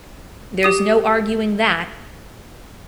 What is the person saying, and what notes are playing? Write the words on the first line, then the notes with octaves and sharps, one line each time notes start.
There's no arguing that.
G4 D#6 D#7